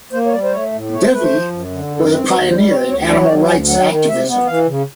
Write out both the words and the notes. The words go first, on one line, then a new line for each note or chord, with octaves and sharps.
Devi was a pioneer in animal rights activism.
A#3 C5
C#5
G3 D5
C5
A3 C#5
A2
A3 C#5
C5
A3 B4
C5
F3
F#2
D3
F#2 A4
A#4
C4 B4
D#2 B4
G3 C5
C4 C#5
D2 C#5
F#3 D5
C#5
F#3 D5
D2 G#5
F#3 F#5
D#3
C3 E5
B3
E3 F5
C#3